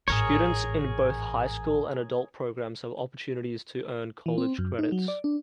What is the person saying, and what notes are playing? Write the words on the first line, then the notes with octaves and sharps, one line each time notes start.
Students in both high school and adult programs have opportunities to earn college credits.
A1 G#2 G#4 A#4 C#5
E3
C4
F#2
D#4
F#3
D5
D4